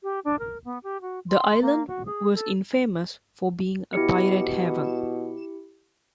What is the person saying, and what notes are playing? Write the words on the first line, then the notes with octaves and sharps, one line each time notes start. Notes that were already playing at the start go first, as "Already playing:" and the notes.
The island was infamous for being a pirate haven.
G4
D4
A#4
B3
G4
F#4
C6
A#3
F#4
G#4
A4
B2 E4 G4 C#7